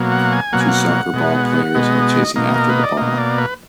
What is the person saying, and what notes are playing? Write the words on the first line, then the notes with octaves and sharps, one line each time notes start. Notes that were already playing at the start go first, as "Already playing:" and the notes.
Two soccer ball players are chasing after the ball.
Already playing: B2 F#3 A#3
F#5
G#5
B2 F#3 A#3 F#5
G#5
F#5
B2 G#3 B3
B2 G#3 B3 D#5
B2 A#3 D#5
A#4
B4
D5
B2 A#3 D#5
D5
B4